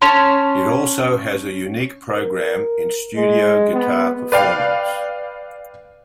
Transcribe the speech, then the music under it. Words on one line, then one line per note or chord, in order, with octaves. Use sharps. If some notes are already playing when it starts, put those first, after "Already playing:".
It also has a unique program in studio guitar performance.
C#4 C#5 A5 C6
A#4
G#3
B3
B4 D5 F5 G5